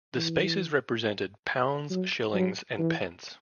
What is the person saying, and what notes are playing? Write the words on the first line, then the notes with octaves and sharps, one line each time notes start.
The spaces represented pounds, shillings and pence.
E3
F#3
F#3
E3